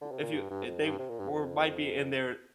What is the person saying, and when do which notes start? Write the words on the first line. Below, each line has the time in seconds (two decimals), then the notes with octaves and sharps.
w if you if they we're might be in there,
0.01 D3
0.12 C3
0.23 A#2
0.34 G2
0.50 G2
0.66 F2
0.82 G2
0.99 C3
1.09 A#2
1.19 G2
1.30 F2